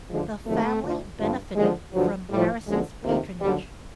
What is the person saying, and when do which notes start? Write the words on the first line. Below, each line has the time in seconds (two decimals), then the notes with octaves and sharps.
The family benefited from Harrison's patronage.
0.09 D#2 D3 F3 G#3
0.46 F2 C3 D#3 F#3 A3
0.83 D2 D3 F3
1.20 G2 D3 F3
1.56 D#2 D3 F3 G#3
1.93 G2 D3 F3 F#3
2.30 A2 F3 G3
2.67 F#2 D3 F3 G#3
3.04 F2 C3 D#3 A#3
3.40 D#2 D3 F#3 G3